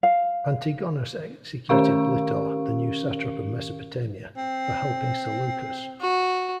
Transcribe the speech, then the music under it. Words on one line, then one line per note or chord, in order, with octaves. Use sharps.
Antigonus executed Blitor, the new satrap of Mesopotamia, for helping Seleucus.
F5
D#3 C#4 G4 A#4 F5 C#6
C4
F#4